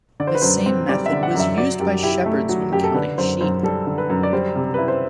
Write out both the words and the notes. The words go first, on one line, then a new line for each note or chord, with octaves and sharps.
The same method was used by shepherds when counting sheep.
D3 D5
C5
B4
F#2 C5
C4
G3 D5
E5
D3
F#5
F#2
E5
F#3 D5
F#2 G4
E4 G4
A3
F#3
F#2 G4
A4
D3 B4
F#2 C5
F#2 C5
G3 A4
D3
B4
F#2
D5
G3 C5
C3
E4 B4
C5